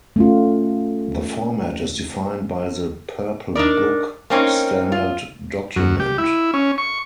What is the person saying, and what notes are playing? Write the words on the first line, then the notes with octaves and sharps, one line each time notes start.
The format is defined by the "Purple Book" standard document.
A3 C#4 F4
D4 D#4 A#4 D5
A#3 C4 C#4 D#4
F4
F#2
G4
E4
C#4
C#6